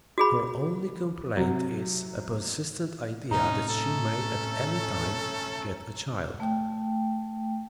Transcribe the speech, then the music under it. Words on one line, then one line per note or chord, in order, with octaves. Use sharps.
Her only complaint is a persistent idea that she may at any time get a child.
F#4 G#4 B5
C3 F#3
A2 C3 C#4 D#4 A#5
A3 C#4 A4
A3 G5